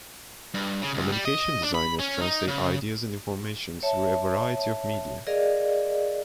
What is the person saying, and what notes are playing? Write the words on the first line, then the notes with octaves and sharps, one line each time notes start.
Communications designers translate ideas and information through a variety of media.
G2
C#3
C#2
G3
D#5
D4
B5
C#4
D#4
C#3
C#5 E5 A5
G#4 A#4 D5 D#5 F5